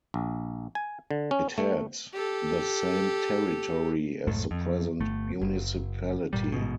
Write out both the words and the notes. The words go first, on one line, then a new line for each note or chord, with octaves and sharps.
It had the same territory as the present municipality.
A#1
G#5
D3
C#4
A3
G4 A4
B1 F2 G#2 A3
F2
G1 A3
F#1
G1 A#2 G3
A1 G#2 B2